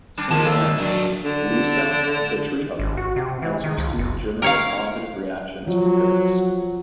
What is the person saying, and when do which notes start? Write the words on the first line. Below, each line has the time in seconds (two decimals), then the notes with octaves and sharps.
Since airing, "Lisa the Tree Hugger" has received generally positive reactions from critics.
0.17 G3 D4
0.31 D#3 F3 G#3 A#3 A5
0.45 C#3 A4
0.79 F#3 D4
1.24 D3
2.79 G#1
2.97 F#4
3.16 C3
3.42 E3
3.64 D#3
3.78 C#2
3.99 F#1
4.42 A#4 C#5 F5
5.68 F3 F#3